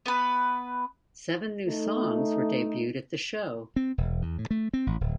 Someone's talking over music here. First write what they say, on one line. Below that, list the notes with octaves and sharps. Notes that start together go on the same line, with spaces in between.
Seven new songs were debuted at the show.
B3 B4
A3 D#4
C4
E1
E2
A2
A3
C4
A1
D1